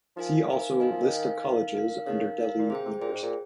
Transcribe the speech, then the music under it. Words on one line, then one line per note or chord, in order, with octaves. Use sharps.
"See also List of colleges under Delhi University".
F3 D#4 A#4 F5 G#5
D#4 A#4 F5 G#5
D#3 D#4 A#4 F5 G#5
F3
D#3
D#4 A#4 F5 G#5
D#4 A#4 F5
D#4 A#4 F5
C#3 D#4 A#4 F5
D#4 A#4 F5
A#2
C3 G#4 C5 G5
C3
A#2 G#4 C5 G5
G#2
A#2